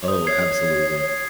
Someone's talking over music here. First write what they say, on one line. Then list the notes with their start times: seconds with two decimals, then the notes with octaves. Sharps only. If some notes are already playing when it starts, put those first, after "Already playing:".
Oh, absolutely.
0.03 C#5
0.08 C5 D#6
0.23 C5
0.27 C#5 G#6 C7
0.46 D#6